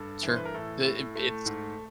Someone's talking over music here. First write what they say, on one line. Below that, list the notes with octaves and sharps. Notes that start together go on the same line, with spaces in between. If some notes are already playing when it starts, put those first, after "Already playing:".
Sure, it it it's,
Already playing: G2 A4
E3
C5
B4
A#4
A2 A4
A2
A3
G#2